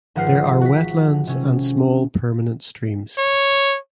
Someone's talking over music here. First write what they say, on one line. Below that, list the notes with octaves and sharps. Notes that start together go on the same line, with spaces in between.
There are wetlands and small permanent streams.
G#1 F3 F#5 F6 C7
F#4 B6
C3 C#4
C#5